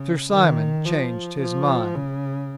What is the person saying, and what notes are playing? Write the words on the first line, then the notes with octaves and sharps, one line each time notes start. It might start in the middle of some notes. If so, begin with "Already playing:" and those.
Sir Simon changed his mind.
Already playing: C#3
D#3
F3
F3
C#3